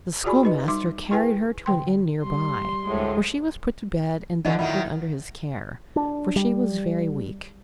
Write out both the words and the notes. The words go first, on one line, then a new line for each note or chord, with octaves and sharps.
The schoolmaster carried her to an inn near by, where she was put to bed and doctored under his care, for she was very weak.
F4 F#4 G#4 D5 G#5 B5
D#4 B4 D#5
G3 D#4 C6 D6
E4 G#4 B4 G5 G#5
D3 G5 C6
G3 C6
D2 A2 G#3
D3 E3 F#3 D#4 D#5 C#6
A2 D#3 F#3 E4 F4
D4
G3